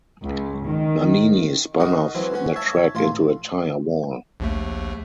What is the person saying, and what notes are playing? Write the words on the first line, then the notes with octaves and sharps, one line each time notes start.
Nannini spun off the track into a tire wall.
C#2
D#3
D#4 F#4 A#4
E3 F#3 C4
C#4 F#4
C#5 E5 A5
A1 F4 C6
A#1 D#2 A3